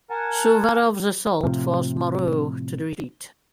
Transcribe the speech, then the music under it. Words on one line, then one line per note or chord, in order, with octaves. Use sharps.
Suvarov's assault forced Moreau to retreat.
A#4 F#5 G#5 A5
A2 C3 F3